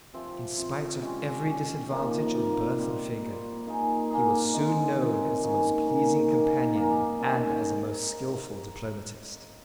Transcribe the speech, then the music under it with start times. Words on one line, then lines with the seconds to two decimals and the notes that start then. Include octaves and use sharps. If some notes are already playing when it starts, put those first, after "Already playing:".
In spite of every disadvantage of birth and figure he was soon known as a most pleasing companion and as a most skilful diplomatist.
0.14 C3 F3 C4
0.58 C3 F3 C4
1.02 G#3 C#4 G4
1.45 G#3 C#4 G4
1.90 C3 F3 A#3 D#4
2.33 C3 F3 A#3 D#4
2.79 A#2 G3 C4
3.22 A#2 G3 C4
3.67 A#3 D#4 G#4
4.11 A#3 D#4 G#4
4.54 C3 D#3 G#3 C4
4.99 C3 D#3 G#3 C4
5.42 D#3 A#3 C#4 G#4
5.87 D#3 A#3 C#4 G#4
6.31 D#3 A#3 D#4 G#4
6.75 D#3 A#3 D#4 G#4
7.19 D#3 G3 C#4 G4